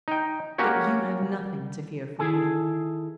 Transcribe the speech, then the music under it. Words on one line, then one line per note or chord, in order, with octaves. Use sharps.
But you have nothing to fear from me.
D#4 G5
A#3 C#4 F#4 G4 C#5
D#3 E4 G#4 A4 G#5